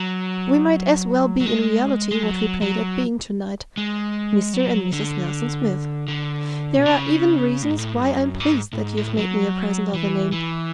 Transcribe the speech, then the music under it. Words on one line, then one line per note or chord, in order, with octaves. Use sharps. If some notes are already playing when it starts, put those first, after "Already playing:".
We might as well be in reality what we played at being to-night--'Mr. and Mrs. Nelson Smith.' There are even reasons why I'm pleased that you've made me a present of the name.
Already playing: F#3
F#3
G#3
G#3
F#3
F#3
G#3
F#3
D3
D3
B2
C#3
A2
G#2
A2
G#2
F#2
G#2
A2
G#2
A2
F#3
E3
E3